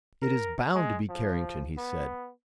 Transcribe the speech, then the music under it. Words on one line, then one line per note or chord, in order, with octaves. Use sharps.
"It is bound to be Carrington!" he said.
A#4
G#3
F3
B3